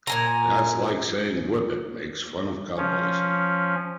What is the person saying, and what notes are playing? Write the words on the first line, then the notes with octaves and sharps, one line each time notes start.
That's like saying "Whip It" makes fun of cowboys.
A#2 G#5 A#5
F3 C#4